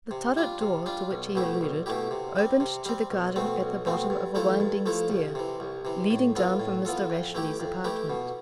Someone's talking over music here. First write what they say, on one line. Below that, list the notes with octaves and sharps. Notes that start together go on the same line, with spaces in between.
The turret-door to which he alluded opened to the garden at the bottom of a winding stair, leading down from Mr. Rashleigh's apartment.
C3
G3 D4 F4
C3
G3 D4 F4
B1
B2 A3 E4 G4
B1
B2 A3 E4 G4
C3
G3 C4
C3
G3 C4
B1
B2 A3 C4
B1
B2 A3 C4
G2
F3 A3 E4 A4
G2
F3 A3 E4 A4
C2
C3 E3
C2
C3 E3
A2
E3 B3 F4 A4
A2
E3 B3 F4 A4
F2
E3 A3 E4 G4
F2
E3 A3 E4 G4
B2